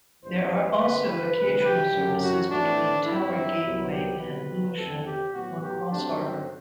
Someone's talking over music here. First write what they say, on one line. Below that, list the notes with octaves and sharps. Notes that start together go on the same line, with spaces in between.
There are also occasional services between Tower Gateway and Lewisham or Crossharbour.
A1 G2 E3 B3 C5
B4
G2 D3 A3 C4 B4
B4
D2 C3 F#3 B4
G4
F#2 F#3 A3 C4
F#4
A2 E3 A3 C4 D4
G2 F#3 C4 E4
C2 C3 F#3 B3
G4
B1 B2 G3 C4 B4
E2 D3 A3 C4 A4
G4
A2 F#3 B3 F#4
G4
G2 F#3 A3 C4 D4
C4